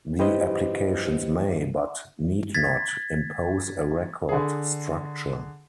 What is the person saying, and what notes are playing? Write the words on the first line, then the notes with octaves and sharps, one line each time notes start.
The applications may, but need not, impose a record structure.
E4 G4 B4 C5 D#5
G#6 A6 B6
D3 G#4